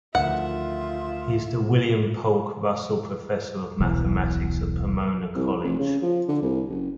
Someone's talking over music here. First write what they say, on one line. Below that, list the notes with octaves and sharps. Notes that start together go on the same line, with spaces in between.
He is the William Polk Russell Professor of Mathematics at Pomona College.
D2 D#3 F3 F4 E5 F#5
D#1 B1 B2 E3
C2
F1
C#3
F3
D3
C2
F#1